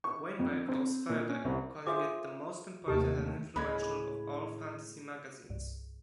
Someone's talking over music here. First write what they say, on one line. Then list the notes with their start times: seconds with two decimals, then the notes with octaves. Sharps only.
Weinberg goes further, calling it "the most important and influential of all fantasy magazines".
0.04 C#6
0.39 F2
0.68 C4
1.09 A#2
1.29 C#4
1.44 C2
1.87 F4 G#4 C5 E5 D6
2.88 D#2 C3 A3 G4 A4 A#4 A5
3.56 D2 A2 C#3 G#3 A#3 B5 F#6 G#6
5.50 C2 G2